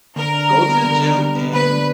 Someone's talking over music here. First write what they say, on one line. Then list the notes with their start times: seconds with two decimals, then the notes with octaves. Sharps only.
"Go to the gym and
0.16 D3 A#4
0.33 D4
0.50 G3
0.68 B3
0.84 D3
1.02 D4
1.18 G3
1.35 B3
1.53 D3 B4
1.70 D4